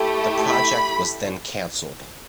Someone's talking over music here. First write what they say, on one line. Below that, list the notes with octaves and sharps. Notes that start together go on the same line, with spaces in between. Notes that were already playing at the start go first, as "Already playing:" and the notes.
The project was then cancelled.
Already playing: A3 E4 G4
B5